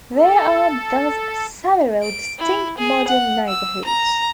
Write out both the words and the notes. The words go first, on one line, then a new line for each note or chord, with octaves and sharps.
There are thus several distinct modern neighborhoods.
A4
D7
E4
G#4
F#5
E6
A#5